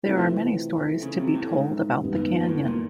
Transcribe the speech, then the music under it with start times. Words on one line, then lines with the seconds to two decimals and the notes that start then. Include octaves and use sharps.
There are many stories to be told about the Canyon.
0.05 C3 E3 A3 C4 F4
1.03 C#3
1.18 C3
1.35 A2
1.51 G#2
2.00 F#2 D#3 G3 B3
2.41 A#2
2.49 A2
2.65 A#2